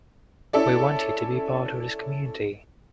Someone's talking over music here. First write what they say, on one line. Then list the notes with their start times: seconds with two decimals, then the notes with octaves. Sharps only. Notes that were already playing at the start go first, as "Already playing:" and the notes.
We want you to be part of this community.
0.53 C#4 E4 A4 D5